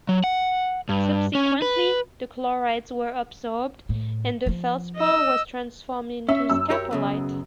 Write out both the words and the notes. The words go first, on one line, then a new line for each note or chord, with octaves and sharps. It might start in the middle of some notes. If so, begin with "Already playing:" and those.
Subsequently the chlorides were absorbed, and the feldspar was transformed into scapolite.
F#3
F#5
G2
C#4
B4
A2
F3 F4
D#5 E6
C#4 E5
F#2 E6
G4 A#4 C#5
B1 C#3 B3